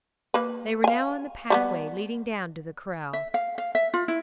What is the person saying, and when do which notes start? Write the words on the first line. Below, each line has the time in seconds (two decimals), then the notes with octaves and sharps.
They were now on the pathway leading down to the kraal.
0.34 A#3 B4
0.84 F5 G#5
1.50 G3 A3 B3
3.13 E5
3.34 F5
3.58 F5
3.75 E5
3.94 F4
4.08 E4